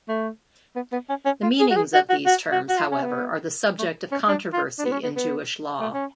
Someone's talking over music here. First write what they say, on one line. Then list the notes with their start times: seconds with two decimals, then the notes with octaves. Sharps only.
The meanings of these terms, however, are the subject of controversy in Jewish law.
0.08 A3
0.76 B3
0.92 B3
1.09 C#4
1.25 C#4
1.43 F4
1.60 G#4
1.71 F#4
1.76 G#4
1.94 F#4
2.10 F#4
2.26 F#4
2.52 F#4
2.69 F#4
2.78 F4
2.92 C#4
3.03 B3
3.79 A3
4.12 C#4
4.28 D4
4.53 F4
4.79 D4
4.85 B3
4.92 C#4
5.04 B3
5.16 B3
5.80 A3
5.94 C#4